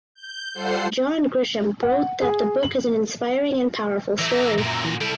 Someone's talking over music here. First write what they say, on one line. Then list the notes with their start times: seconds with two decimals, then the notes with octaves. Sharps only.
John Grisham wrote that the book is an "inspiring and powerful story".
0.15 G6
0.54 G3 F4 A4 C5 F#5 C7
1.83 F#5
2.21 G#4
2.63 F#7
4.19 E3 A3 E5 A#5
4.58 F#2 A#2
4.85 E3 A#5
5.01 G3 E4 A4